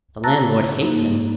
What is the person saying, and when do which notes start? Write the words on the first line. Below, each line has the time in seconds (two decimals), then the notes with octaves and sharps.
The landlord hates him.
0.24 A5 A#5 E6 F#6 A6 A#6
0.82 G#2 A#3 D#4